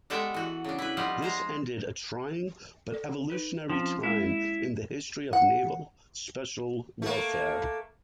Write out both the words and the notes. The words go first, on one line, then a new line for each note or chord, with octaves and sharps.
This ended a trying but evolutionary time in the history of Naval Special Warfare.
G3 G#3 B3 A4 E5 G5
E3 F#4
C#3 D4
E4 B4
F3 G3 B3 D#4 F4
G#3 C5 A#5
A4 D5
D#4 B4
F3 C4 C#4
G#3 A#3 E4 G#4
F#5
A3 A#3